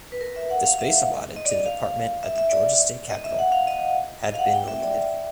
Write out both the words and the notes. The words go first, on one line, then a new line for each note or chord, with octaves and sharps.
The space allotted to the department at the Georgia State Capitol had been limited.
B4
A#4
E5
F#5
F5
E5
D#5
D5
D#5
F5
E5
E5
D5
D#5
E5
F#5
F5
D#5
D#5
F5
F#5
G5
E5
D5